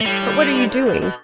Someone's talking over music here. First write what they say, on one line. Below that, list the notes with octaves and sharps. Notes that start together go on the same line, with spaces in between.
But what are you doing?
A3
A2 G3
A2
A2
G2
A2
B2
B2